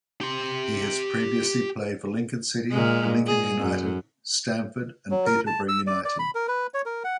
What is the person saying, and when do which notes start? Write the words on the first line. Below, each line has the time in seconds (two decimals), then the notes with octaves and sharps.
He has previously played for Lincoln City, Lincoln United, Stamford and Peterborough United.
0.21 G4 C6
2.71 A#2 G#3
3.27 G#4
3.60 F#2
5.11 F#3
5.26 A#4
5.47 A5
5.69 E6
5.87 D5
6.05 D5
6.19 B5
6.35 A#4
6.48 B4
6.74 C#5
6.86 A#4
7.04 F#5